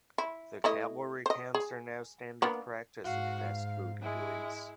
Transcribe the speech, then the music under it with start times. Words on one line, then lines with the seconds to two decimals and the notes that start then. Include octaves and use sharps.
The calorie counts are now standard practice at fast food eateries.
0.18 E4
0.64 A3 E4 D#5
1.26 C5 D#5
1.54 G#4
2.42 A#3 B3 D4
3.04 G#2 F#4 F5
3.41 F5
4.02 G#3 E4